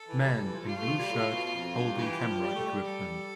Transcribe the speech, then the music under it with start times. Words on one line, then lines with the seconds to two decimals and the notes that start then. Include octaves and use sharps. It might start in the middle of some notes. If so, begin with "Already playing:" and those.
Man in blue shirt holding camera equipment.
Already playing: A4
0.09 E3
0.23 G3
0.33 G3
0.44 E3
0.55 F3
0.66 G3 F4
0.77 A3
0.88 F3
0.99 G3
1.10 A2
1.32 B2
1.54 F2
1.76 G2
1.97 E3 G4
2.19 F3
2.41 G3
2.55 A3
2.67 G3
2.84 A4